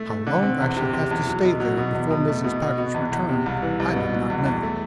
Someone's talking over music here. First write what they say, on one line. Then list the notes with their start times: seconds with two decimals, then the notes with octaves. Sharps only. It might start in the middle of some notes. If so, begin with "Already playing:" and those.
How long I should have to stay there before Mrs. Packard's return I did not know.
Already playing: A3
0.10 A3
0.27 D3
0.43 C4
0.60 E2
0.77 C3
0.93 C3
1.11 E2
1.27 F#3
1.44 B2
1.60 F#3
1.77 B2
1.95 E2
2.10 B2
2.28 A3
2.44 B2
2.62 B2
2.78 B2
2.94 E2
3.12 E2
3.29 C3
3.46 C2
3.62 E3
3.80 C2
3.96 B2
4.13 F#3
4.30 E2
4.46 E2
4.63 A3